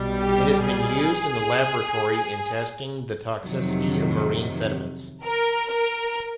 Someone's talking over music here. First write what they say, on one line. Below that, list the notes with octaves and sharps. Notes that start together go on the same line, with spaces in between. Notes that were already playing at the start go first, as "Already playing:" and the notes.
It has been used in the laboratory in testing the toxicity of marine sediments.
Already playing: B1 B2 G3
G4
G#4
F2 C3 D#3 F#3
A#4
A#4